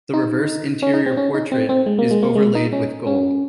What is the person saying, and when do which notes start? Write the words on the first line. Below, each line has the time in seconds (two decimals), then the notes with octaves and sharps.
The reverse interior portrait is overlaid with gold.
0.13 D#4
0.82 C#4
0.94 D#4
1.06 C4
1.17 C#4
1.34 D#4
1.52 C4
1.69 C4
1.86 G#3
1.99 A#3
2.11 G#3
2.22 A#3
2.35 G#3
2.55 D#4
2.73 C#4
3.07 C#4